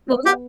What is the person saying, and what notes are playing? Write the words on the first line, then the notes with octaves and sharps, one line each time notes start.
What was that?
C4
B3 G4